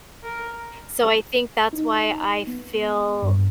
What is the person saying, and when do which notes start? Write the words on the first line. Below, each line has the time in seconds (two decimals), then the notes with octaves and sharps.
So, I think that's why I feel,
0.23 A#4
1.73 D#4
2.47 B3
3.22 G2